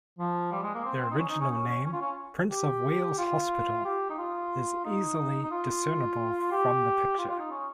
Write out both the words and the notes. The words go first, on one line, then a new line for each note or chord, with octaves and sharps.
The original name 'Prince of Wales Hospital' is easily discernible from the picture.
F3
G3
G#3
A#3
C4
C4
D#4
C#4
D#4
C#4
C#4
C#4
C#4
F4
C#4
G4
F4
G4
D#4
F4
D#4
D#4
F4
G4
F4
F4
D#4
C#4